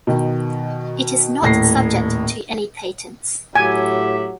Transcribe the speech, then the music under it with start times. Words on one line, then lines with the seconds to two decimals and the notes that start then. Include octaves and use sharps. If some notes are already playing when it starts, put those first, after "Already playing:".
It is not subject to any patents.
0.07 B2 D#3
1.42 D#1 A2 A#6 C7
3.55 A2 F#3 G4 E5 G#5